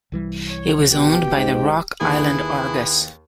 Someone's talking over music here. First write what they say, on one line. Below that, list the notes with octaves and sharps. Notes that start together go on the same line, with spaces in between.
It was owned by the Rock Island Argus.
C2 E3 G3
C#5
B2 G4
G#2
D#2 E4 G#4 B4